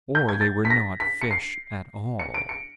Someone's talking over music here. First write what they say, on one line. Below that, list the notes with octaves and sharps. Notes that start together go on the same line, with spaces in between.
Or they were not fish at all.
G6
G#6
A6
B6
A#6
B6
C#7
C7
C#7
D7
C#7